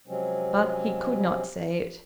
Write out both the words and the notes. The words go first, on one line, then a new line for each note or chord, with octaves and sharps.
But he could not say it.
C3 F3 F#3 G#3 C4 C#4